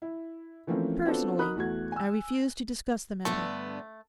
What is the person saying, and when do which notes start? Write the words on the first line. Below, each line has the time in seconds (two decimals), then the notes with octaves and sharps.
Personally, I refuse to discuss the matter.
0.02 E4
0.67 E3 F3 A3 A#3 C4 C#4
1.05 B3 C4 D4 F4 F#4 A4
1.39 D#4 F#4 A#4 B5 D#6 F#6
1.56 E2 A3 F#4 G#6
1.92 G#5 E6
3.25 G2 D3 A3 B3